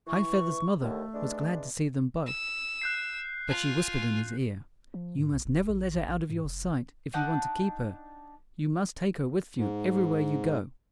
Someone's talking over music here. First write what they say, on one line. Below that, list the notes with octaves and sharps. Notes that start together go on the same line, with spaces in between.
High-feather's mother was glad to see them both; but she whispered in his ear: "You must never let her out of your sight if you want to keep her; you must take her with you everywhere you go."
E3 C#6
D#2 D3 A3
E3 G#3 D4
E6
F#6 G6 C7
F4 G#5
F3
G#2
B1
D1
A1
G#1
A1
G#2
F1
D4 D#4 F#5 G5
G#2